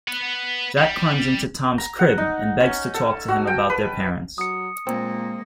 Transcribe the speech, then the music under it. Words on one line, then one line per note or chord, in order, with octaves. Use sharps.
Jack climbs into Tom's crib and begins to talk to him about their parents.
B4 F#5
G3
A#5
F#5
D#4
C#4
A4
F#4
G5
B4
F#3 D#6 C#7
A#2 G#3 A#3 C4